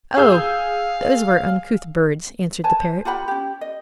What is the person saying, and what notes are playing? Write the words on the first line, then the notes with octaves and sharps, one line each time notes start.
"Oh! those were uncouth birds," answered the Parrot.
G#4 F5 E6 G6
B4 C#5 G#5 A5
C5
F4 G4 F#5 B5
C#4 G4
D#5